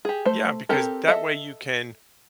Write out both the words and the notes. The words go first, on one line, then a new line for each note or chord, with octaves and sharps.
Yeah, because that way you can
G4 G#4
A3 C5
C4 G4 A4 A#4
A4 D#5 E5